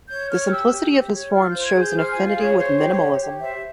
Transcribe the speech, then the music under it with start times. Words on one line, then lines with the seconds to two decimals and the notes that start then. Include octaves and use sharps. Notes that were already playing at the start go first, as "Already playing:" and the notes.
The simplicity of his forms shows an affinity with minimalism.
0.09 C#5 G6
0.30 C#5 F6
0.51 G4 E6
0.72 G4
0.92 G4
1.13 C#5
1.33 F4 F6
1.49 C5 G6
1.65 G#6
1.75 G#4 G6
1.95 C5 F6
2.11 G#5
2.16 F4
2.26 F5
2.36 G#4
2.42 C#5
2.57 C5 C#5
2.78 G4
2.88 C#5
2.99 G4
3.19 G4
3.39 C5 E5